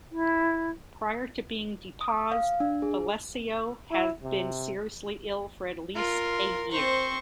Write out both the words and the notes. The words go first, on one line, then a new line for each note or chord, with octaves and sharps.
Prior to being deposed, Velasco had been seriously ill for at least a year.
E4
D#6
F5
D4
G#4
E4
C3
F4 A#4
C4 C5 C#6